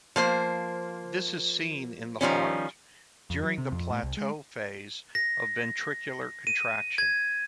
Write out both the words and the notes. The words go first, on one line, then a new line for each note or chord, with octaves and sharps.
This is seen in the heart, during the plateau phase of ventricular contraction.
F3 A#3 C5
D#3 F3 G3 C#4
F2
F#3
C3
F2
A2
C2
G#3
A#6
D#7
G#6